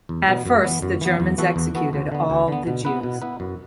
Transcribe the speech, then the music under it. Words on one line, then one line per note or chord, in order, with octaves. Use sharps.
At first the Germans executed all the Jews.
E2
B2 B3
F#2
E3 B3
F#2
E3 B3
E2
E3 B3 F#4 A4
E2
E3 B3 F#4 A4
D2
D3 B3
D2
D3 B3
B2
B3 E4 B4
B2
B3 E4 B4
F#2